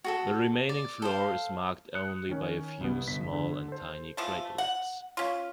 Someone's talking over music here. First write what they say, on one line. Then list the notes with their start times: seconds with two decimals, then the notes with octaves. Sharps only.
The remaining floor is marked only by a few small and tiny craterlets.
0.04 F#4 G#4 A4
0.69 D5
1.02 A4 C5 F5
1.95 D#6 F#6 C#7
2.29 D#3 C#4
2.81 C2 B3
3.07 G1 B6
3.33 D3
3.68 A4 C5
4.17 E3 F3 A3
4.58 F#5
5.17 C#4 F4